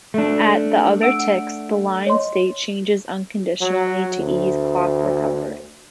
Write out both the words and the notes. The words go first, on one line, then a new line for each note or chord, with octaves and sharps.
At the other ticks, the line state changes unconditionally to ease clock recovery.
A3 D4
F#5 E6 D7
C#5 D#5 C6
F#3
D2